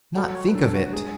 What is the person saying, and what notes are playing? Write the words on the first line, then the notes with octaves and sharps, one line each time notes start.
Not think of it!
F#3 A4
C#5
B4
D2 A4
F#4
G#3 G#4